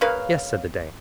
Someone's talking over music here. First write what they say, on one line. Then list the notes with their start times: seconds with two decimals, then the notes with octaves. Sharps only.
"Yes," said the dame.
0.01 C#3 A#3 B4 F5